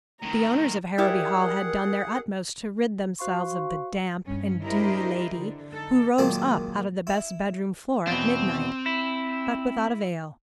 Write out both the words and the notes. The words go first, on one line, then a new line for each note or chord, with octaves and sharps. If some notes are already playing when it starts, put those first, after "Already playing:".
The owners of Harrowby Hall had done their utmost to rid themselves of the damp and dewy lady who rose up out of the best bedroom floor at midnight, but without avail.
A2 D#3 A#5
E4 G4 G#4 A#4 D5 F#5
F#4 C5 F5 C6 C#6
G2 C#4
D4 E4 G4 A#4 C5 D#5
D3
D#4 A4
F#2 A#2 D#3 G#3 A#3 A5
E4
E2 B2 C4
E4